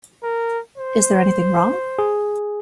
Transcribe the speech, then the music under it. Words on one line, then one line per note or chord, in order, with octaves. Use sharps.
Is there anything wrong?
A#4
C5
G#4